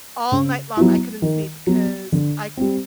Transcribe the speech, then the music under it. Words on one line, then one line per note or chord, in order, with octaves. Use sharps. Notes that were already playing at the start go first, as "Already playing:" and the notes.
All night long, I couldn't sleep because I c
C#3
F#3 B3 E4
D#3
F#3 B3
D3
G3 C4